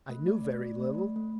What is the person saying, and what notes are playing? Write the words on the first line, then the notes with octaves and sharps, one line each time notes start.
I knew very little.
A3
D5
D5
A3
A3
A3
A3